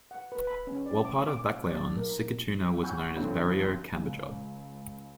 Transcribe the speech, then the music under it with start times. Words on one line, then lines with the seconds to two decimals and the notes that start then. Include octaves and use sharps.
While part of Baclayon, Sikatuna was known as barrio Cambojod.
0.11 F#5
0.32 B4
0.47 B5
0.67 C#4
0.86 D5
1.05 D6
1.27 D6
1.69 D5
1.97 A#4
2.83 F#5 G#5 B5 C#6 F#6 G6
3.15 E2 G2 D3 F3 C4 C#4
3.96 C#2